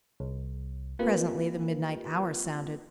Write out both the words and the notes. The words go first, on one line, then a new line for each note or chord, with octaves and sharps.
Presently the midnight hour sounded.
C2
A#3 C4 F4 G4 A#4 B4